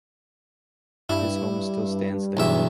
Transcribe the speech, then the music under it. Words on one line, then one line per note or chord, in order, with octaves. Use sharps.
His home still stands there.
G2 E4
B1 E2 E5